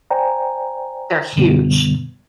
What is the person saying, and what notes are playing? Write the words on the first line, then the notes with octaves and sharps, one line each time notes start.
They're huge.
C5 D5 G5 G#5 A#5
F#2 B2 D3 G3 B3